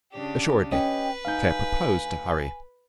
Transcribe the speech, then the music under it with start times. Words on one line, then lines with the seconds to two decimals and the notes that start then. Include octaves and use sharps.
Assuredly Claire proposed to hurry.
0.12 C#3 D4 G4
0.72 C#4 G4 B4 D#5 G5
1.25 D2 D#4 F5 G#5 G6